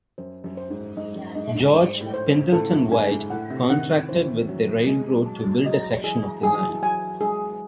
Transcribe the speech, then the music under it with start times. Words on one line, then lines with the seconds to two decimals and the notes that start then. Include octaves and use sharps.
George Pendleton White contracted with the railroad to build a section of the line.
0.18 F#2 C5
0.44 F#2
0.57 C5
0.70 G#2
0.97 G#2 D#5
1.16 F#2
1.35 G#2 D#5
1.55 G#2
1.74 G#2 C5
2.01 A2
2.14 C5
2.27 C#3
2.53 A2 A4
2.72 F#2
2.92 G#2 G#5
3.11 G#2
3.30 A2 F#5
3.50 C3
3.70 D#3 F#5
4.08 E3 C5
4.48 F#3 C#4
4.86 G#3 G#4
5.13 F#3
5.26 A5
5.39 F#3
5.57 G#3
5.65 F#3 D#5
5.92 F#3
6.04 E3 G#4
6.43 E3 G#4
6.55 F#3
6.67 E3
6.82 F#3 G#5
7.21 G#3 G#4